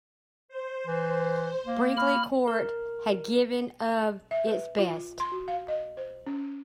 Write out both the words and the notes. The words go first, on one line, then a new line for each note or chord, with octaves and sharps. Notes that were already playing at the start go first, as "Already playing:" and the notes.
Brinkley Court had given of its best.
C5
E3
A#3
B5 F6
A#4
E5
B4
F4
C6
F#4
F5
D#5
C5
C#4